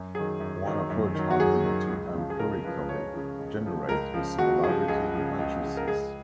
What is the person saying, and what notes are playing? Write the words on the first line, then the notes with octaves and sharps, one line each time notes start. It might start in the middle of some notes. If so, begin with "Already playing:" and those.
One approach has been to empirically generate the similarity matrices.
Already playing: F#2
D#3 F#3 G#4
F#2
D#3 F#3
F#2
D#3 F#3
F#4
F#2 G#4
D#3 F#3
C#2
C#3 F3
G#4
C#2 A#4
C#3 F3 B4
C#2 C#5
C#3 F3
C#2
C#3 F3
C#2 A#4
C#3 F3
C#2 F#4
C#3 F3 G#4
C#2 G#4
C#3 F3
C#2
C#3 F3
A#4
C#2 G#4